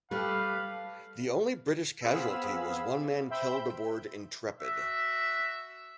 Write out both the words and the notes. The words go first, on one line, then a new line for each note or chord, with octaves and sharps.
The only British casualty was one man killed aboard "Intrepid".
G3 A3 G4 A4 B4 F5
B3 C4 G#4 F5 B5 E6
C5 E5 G5 B5 E6 G6
F#4 E5